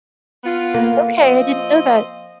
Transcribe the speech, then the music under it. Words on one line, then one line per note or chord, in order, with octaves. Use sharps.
Okay, I didn't know that.
B3 F4
A#3
F3 C4 D#5